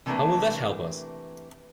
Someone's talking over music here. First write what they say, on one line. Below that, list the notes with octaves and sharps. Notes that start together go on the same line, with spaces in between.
How will that help us?
C3 E3 A3 A#3 D4 B4